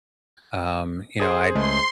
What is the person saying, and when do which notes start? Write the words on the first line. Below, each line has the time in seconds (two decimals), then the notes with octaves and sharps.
um, you know, I
1.20 G#4 C5
1.55 C#2 G#3 A3 C6